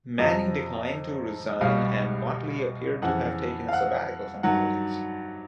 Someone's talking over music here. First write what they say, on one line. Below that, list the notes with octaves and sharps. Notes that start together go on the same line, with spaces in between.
Manning declined to resign and Mottley appeared to have taken a sabbatical from politics.
F2 C3 F3 D#5
C2 B2 G3 F5
F2 C#3 E3 F#5
F5
F#5
G2 D#3 F#3 F#5